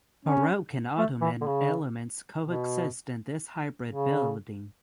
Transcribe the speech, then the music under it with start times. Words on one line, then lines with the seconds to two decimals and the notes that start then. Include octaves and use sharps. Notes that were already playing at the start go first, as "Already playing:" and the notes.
Baroque and Ottoman elements coexist in this hybrid building.
0.25 C#4
0.98 A3
1.21 E3
1.41 D3
1.46 C#3
2.43 B2
3.89 C#3